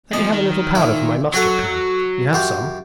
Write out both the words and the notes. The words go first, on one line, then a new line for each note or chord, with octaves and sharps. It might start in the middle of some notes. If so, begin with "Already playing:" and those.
Let me have a little powder for my musket-pan--you have some?
E2 F3 D#5
D#3
A#2 E4
F#3 C#4 F#4 A4
F#2 F4 G4